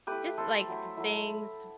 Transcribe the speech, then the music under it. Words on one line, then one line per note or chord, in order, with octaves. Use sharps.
just, like, k things,
A3 E4 G4 B4
A3 E4 A4 C5
F#3 A3 E4
F#3 A3 E4